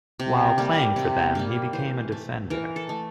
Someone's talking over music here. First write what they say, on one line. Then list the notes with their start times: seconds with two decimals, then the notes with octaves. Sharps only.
While playing for them, he became a defender.
0.20 C3
0.58 G3 A#3
0.96 C3
1.35 G3 A#3
1.73 E3 C5
2.12 A3
2.50 E3 A#4
2.76 A4
2.89 A3